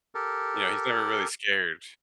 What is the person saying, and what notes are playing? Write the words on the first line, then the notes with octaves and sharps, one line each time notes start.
you know, he's never really scared,
G4 A4 A#4